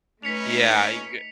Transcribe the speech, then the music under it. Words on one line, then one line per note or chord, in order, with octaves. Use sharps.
Yeah, you can get
A3 C#4 D#4 B4 B6 C#7 F7